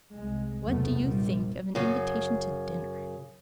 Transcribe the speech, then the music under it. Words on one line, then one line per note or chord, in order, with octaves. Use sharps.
What do you think of an invitation to dinner?
C2 G#3
F#1 B1 E2 C3 A3 B3
A#1 G3
F#2 C#3